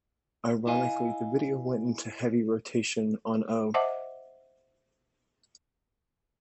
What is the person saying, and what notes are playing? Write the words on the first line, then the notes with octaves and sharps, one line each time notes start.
Ironically, the video went into heavy rotation on Oh!
E4 D#5 F5 G#5
C5 D#5 E5 F#5 A5 D6